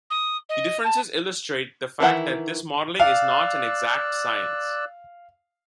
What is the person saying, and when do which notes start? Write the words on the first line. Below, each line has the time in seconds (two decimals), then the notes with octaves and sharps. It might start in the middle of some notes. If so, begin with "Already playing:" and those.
The differences illustrate the fact that this modelling is not an exact science.
0.10 D#6
0.49 D#5
0.84 A5
2.00 D#3 E3 E4 F#5
3.00 D5 F5 E6 F#6